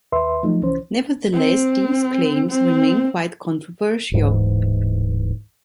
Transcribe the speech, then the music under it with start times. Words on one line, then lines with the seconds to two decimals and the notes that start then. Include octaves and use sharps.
Nevertheless, these claims remain quite controversial.
0.12 D#2 B4 E5 C6
0.43 F3 F#3 A3 D#4
0.62 C2 E3 C#4 C5
1.33 C4
2.50 C4
4.12 D1 G#2 E3